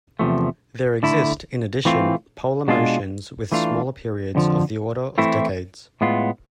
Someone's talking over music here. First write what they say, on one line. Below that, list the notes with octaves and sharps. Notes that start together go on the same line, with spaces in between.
There exist, in addition, polar motions with smaller periods of the order of decades.
E2 C3 F3 A3
D3 A3 E4
E3 A3 C4 F4
B2 G#3 D4 F4
E3 A3 D4 F4
F2 D3 F3
E3 A3 C4 E4
A2 G#3 B3 F4